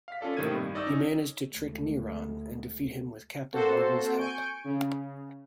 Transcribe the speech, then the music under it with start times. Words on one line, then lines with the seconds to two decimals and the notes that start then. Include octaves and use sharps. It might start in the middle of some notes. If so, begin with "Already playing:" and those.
He managed to trick Neron and defeat him with Captain Marvel's help.
0.08 F5 B6
0.21 C#4 F4 A4 D5
0.37 A2 C3 D#3 A#3 G#6 D#7
0.52 G2
0.75 D#4 D5 D#5 C#6 E6
0.87 C#4 D#4
1.48 D2 G#3 A3
3.53 A#3 C4 F#4 A4 C5
4.17 G#5 C#6 G6 D7
4.64 C#3